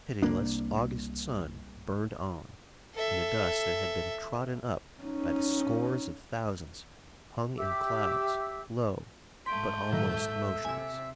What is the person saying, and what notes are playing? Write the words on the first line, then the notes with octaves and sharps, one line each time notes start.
The pitiless August sun burned on and the dust that had been trodden up by the scores of thousands hung in clouds low, but almost motionless.
C2 A#3 D4
A4 E5
C#4 D#4
G4 E5 D6 E6
G#2 A3 C6 G6 B6 D7
A#2 D#3 F#3 A4 E5
C3 G#5 E6